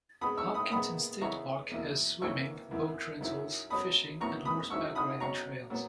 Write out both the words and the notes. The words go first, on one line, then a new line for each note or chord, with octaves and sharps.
Hopkinton State Park has swimming, boat rentals, fishing and horseback riding trails.
B2 G#3 B3 B5 D#6
C#6 E6
B5 D#6
A#2 G#3 B3 B5 D#6
C#3 E3 G#3 B3 E4 A#5 C#6
E2 B2 A#3 E4
F#2 E3 A#3 C#4 E4 C#6 E6
F#2 E3 B3 E4
F#2 D#3 F#3 C#4 E4
B2 F#3 C#4 B5 D#6
A#2 F#3 B3 E4 A#5 C#6
B5 D#6
D#3 F#3 C#4 E4 C#6 E6
B5 D#6
B2 F#3 C#4 A#5 C#6
A#2 F#3 B3